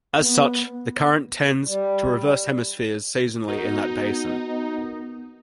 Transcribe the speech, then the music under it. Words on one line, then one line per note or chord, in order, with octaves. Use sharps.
As such, the current tends to reverse hemispheres seasonally in that basin.
B3
G3
B3 D#4 F#4 A#4